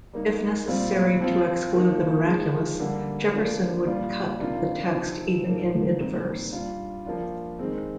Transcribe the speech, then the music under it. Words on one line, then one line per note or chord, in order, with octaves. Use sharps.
If necessary to exclude the miraculous, Jefferson would cut the text even in mid-verse.
G3 A#3 D#4
A#2 G3 C4 F4
F3 C4 F4
F3 A#3 D#4
F3 G#3 D#4
D3 G3 A#3
F3 A#3 D4
A#2 G3 D4 F4
C3 D#3 A#3 D4 F4
C3 F3 C4 D#4
A#2 F3 A#3 D#4
A#2 G3 C4 D#4
G3 D4 F4
F3 A#3 D4 F4
D#3 G#3 C4